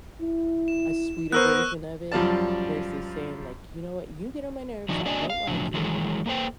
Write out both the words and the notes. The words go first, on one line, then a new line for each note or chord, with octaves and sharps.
a sweeter version of it, versus saying, like, "You know what, you get on my nerves, I don't like you."
E4
E7
B3 A#4 C5 C#6 E6 F#6
F#2 F3 G3 F4 D5 A5
D#3 F3 D4 D#4 F#4
A#3 D4 F#4 D5 D#5 G#5
F5
A2 C#3 F3 F#3 D4
D#3 E3 F#3 G#3 F#4
A#3 A4 B4 C5 G5